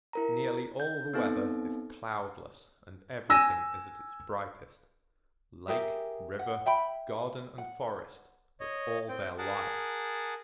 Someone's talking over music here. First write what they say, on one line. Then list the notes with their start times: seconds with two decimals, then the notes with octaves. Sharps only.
Nearly all the weather is cloudless and everything is at its brightest--lake, river, garden and forest with all their life.
0.13 E4 A#4 A#5
0.80 G6
1.13 B3 C4 D#4 A4
3.30 G#5 E6 A#6 D#7
5.68 G4 G#4 A#4 E5
6.39 F#5
6.66 E5 G5 B5
7.58 F#5
8.60 C#5 D#5
9.09 C4 G5
9.38 G#4 A#4 F#5 A5